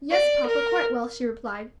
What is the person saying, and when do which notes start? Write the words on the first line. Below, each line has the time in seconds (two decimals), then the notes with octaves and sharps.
"Yes, papa, quite well," she replied.
0.11 D5
0.47 A#4